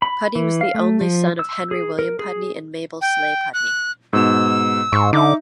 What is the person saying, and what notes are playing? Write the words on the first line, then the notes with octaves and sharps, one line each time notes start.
Pudney was the only son of Henry William Pudney and Mabel Sleigh Pudney.
B5
E3
F5
A3
F3
E6
G#4
A#4
G#4
G5
F#6
G#2 B2 E6 E7
G#2 C6 C#6
D3 D#4 E5 D6